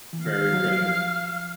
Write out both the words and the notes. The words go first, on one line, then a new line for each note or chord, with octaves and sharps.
buried treasure,
E3
D#3 F5
F#3
F3